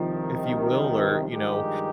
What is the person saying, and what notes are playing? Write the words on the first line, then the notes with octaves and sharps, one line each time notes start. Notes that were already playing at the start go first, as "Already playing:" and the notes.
if you will, or, you know
Already playing: C2 C3 D#3 F3
G2 D#3 G#3 D#4 G4